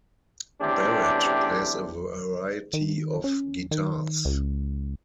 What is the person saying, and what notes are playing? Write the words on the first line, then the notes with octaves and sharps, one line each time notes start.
Barrett plays a variety of guitars.
A1 E2 A2 C3 D4 G4
D#3
C#4
D#3
C#2